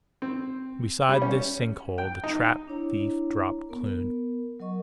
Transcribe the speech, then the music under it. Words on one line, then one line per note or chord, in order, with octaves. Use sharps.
Beside this sink hole the trap-thief dropped Kloon.
C4
G3
C#4
G5
D#4
D4 E4 C#5 A#5
B3 A#4
F#3 A#4 D#5 C#6